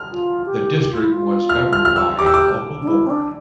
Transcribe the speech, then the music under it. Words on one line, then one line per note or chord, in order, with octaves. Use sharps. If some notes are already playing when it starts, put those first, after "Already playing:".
The district was governed by a local board.
Already playing: F6
F4
G4
G4
F4
E4
F4
F6
F6
F6
E6
G4 D6
E6
D6
D4
E4
C4
D4